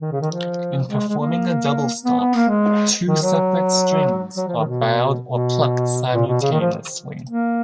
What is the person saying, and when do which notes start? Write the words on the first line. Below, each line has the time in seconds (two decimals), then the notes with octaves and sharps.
In performing a double stop, two separate strings are bowed or plucked simultaneously.
0.02 D#3
0.12 C#3
0.21 D#3
0.31 F3
0.89 G#3
1.08 G#3
1.18 A#3
2.05 B3
2.19 B3
2.35 A#3
2.49 G#3
3.07 D#3
3.22 F#3
4.37 F#3
4.48 F3
4.57 D#3
4.67 B2
5.25 B2
6.13 A#2
6.27 B2
6.41 C#3
6.51 D#3
6.60 F3
7.28 A#3